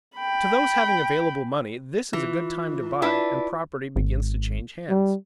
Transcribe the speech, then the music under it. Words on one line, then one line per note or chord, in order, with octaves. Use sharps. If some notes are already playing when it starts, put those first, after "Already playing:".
To those having available money this is a good time to buy, and property begins to change hands.
G5 B5
E3 F4
D4 E4 B4
G#1
G3